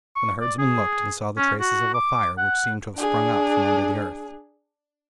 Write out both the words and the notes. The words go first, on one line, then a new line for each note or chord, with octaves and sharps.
And the herdsman looked and saw the traces of a fire, which seemed to have sprung up from under the earth.
C#6
D5
G#4
C#4
F#4
D6
F#5
D4 G#4